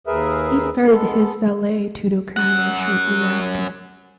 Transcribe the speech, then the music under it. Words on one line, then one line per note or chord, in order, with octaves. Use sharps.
He started his vale tudo career shortly after.
D#2 G#4 A#4 B4 E5
G#3 B3 A4
F#2 F#5